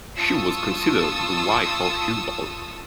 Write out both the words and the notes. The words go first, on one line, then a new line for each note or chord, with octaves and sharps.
She was considered the wife of Hubal.
F4 A5 C#6 D#6 E6